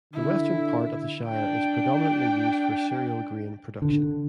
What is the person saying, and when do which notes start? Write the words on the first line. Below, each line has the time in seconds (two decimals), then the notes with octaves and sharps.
The western part of the shire is predominantly used for cereal grain production.
0.13 D3 E4
1.26 D4 G5
3.82 D3